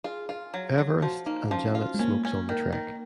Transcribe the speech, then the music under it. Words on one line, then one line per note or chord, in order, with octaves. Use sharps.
Everest, and Janet smokes on the trek.
F4 G#4
F4
F#3
F#3
F3 F#4
A#3 D#4
F3 C#4
F4
G#3
A#3 C#4
C#4
D#3
D#3